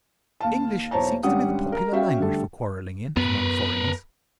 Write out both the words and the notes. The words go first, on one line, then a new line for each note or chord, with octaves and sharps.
English seems to be the popular language for quarrelling in, among foreigners.
D#2 F5 A5
B1 E2 C5 C#5 A5 A#5
G#1 G3 C#4 D4 F#5 D#6
A#4 A#5
C#4 F#4 E5 F5 G5
D3 G3 A3 A4
F#2 B3 A#4 B4